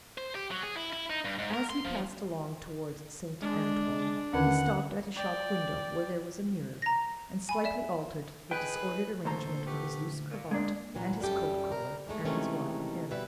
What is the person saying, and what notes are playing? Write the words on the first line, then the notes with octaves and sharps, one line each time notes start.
As he passed along towards Saint Antoine, he stopped at a shop-window where there was a mirror, and slightly altered the disordered arrangement of his loose cravat, and his coat-collar, and his wild hair.
C5
G4
F#3
G#4
E4
E4
D#4
G2
G#2
A#4
C6
F3
G#3 D4
D#2 D3 D#3 C#4 F#5
D5 G5
A#5 A#6
G#5 B5
D5 E5 E7
D#4 G#4 B4 G5
D2 A#2 A4 C5 A#5
A3 B3 G4
A#2
G#3 A#3 D4
A#2 E3 F#3
F#2 G3 E4 G4 A4
A#4
G#2 E3 G#3 A3
C3 D#3 E3 G#3 A3 C#4
B2 G3 B4 E5